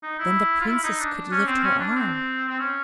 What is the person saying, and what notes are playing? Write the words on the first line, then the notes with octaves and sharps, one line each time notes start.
Then the Princess could lift her arm.
D#4
E4
F4
E4
D#4
D4
C#4
C4
C#4
D4
C4
C4
C#4